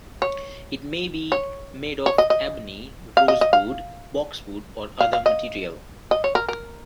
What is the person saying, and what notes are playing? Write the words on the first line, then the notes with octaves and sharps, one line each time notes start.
It may be made of ebony, rosewood, boxwood or other material.
C#5
C#5
C#5
D#5
D#5
F5
D#5
D#5
F5
F5
F5
D#5
D#5
C#5
A#4
A#4